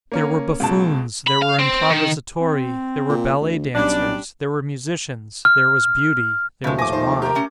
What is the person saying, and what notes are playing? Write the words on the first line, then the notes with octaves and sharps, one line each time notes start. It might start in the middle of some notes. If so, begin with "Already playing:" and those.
There were buffoons, there were improvisatori, there were ballet-dancers, there were musicians, there was Beauty, there was wine.
A#3 C#4 A#4
C#2 B2 A5
B5
F5
C4
D#3
C4
A#2
D2
B1 G3 C#4 D4
F6
D#2 C#3 F3 G#3 A3
G#5 D6 A#6
D#4 C5
G4 A#4 A#5
A3 C#4